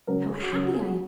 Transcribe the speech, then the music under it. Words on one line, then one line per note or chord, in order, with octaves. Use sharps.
How happy I am!
F#2 C#3 F#3 A#4
G#4
F#4
F#2 C#3 F#3
F#4
G#4
F#4